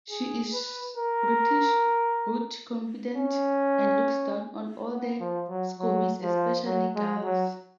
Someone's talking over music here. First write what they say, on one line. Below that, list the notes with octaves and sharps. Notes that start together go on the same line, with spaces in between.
She is British, rude, confident, and looks down on all the Scoobies, especially Giles.
G#4
B4
A#4
C#4
B3
F3
F#3
F#3
F3
F#3
G#3
F#3